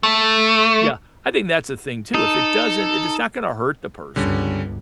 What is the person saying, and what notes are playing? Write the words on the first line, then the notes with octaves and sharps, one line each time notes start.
Yeah, I think that's the thing too, if it doesn't if it's not gonna hurt the person
A3
D#4 A4
G1 C#2 G2 D3 G3 C#4